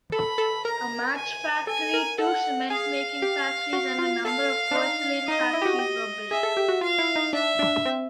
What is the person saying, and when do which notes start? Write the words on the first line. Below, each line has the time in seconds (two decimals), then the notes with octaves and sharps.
A match factory, two cement-making factories, and a number of porcelain factories were built.
0.12 A4 B5
0.38 A4
0.64 A#4 A#5
1.16 G#5
1.67 A4 G#5
1.94 A#4
2.18 A4 F#5
2.70 G#4 F5
3.22 G4
3.73 F#4
3.98 F4
4.25 A4 F5
4.71 D4
4.75 D#4
5.27 D#4 D#5
5.41 D#4
5.53 E4
5.62 G4
5.65 F#4
5.79 G4
6.30 G#4 E5
6.43 A4
6.57 G4
6.68 F#4
6.81 F4 F5
6.98 E4
7.16 D#4
7.33 D4 E5
7.59 D4
7.85 C4